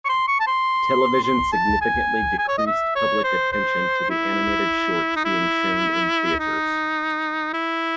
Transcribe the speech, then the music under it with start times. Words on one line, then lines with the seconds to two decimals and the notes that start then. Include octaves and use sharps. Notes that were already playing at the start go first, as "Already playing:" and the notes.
Television significantly decreased public attention to the animated shorts being shown in theaters.
0.05 C#6
0.09 C6
0.28 C#6
0.40 A5
0.47 C6
1.24 C6
1.53 A5
1.81 G#5
2.38 G#5
2.48 C#5
2.58 D#5
2.67 E5
2.96 C#5
3.24 C5
3.53 C5
4.10 E4
5.16 D#4
5.25 E4
6.39 D#4
7.54 E4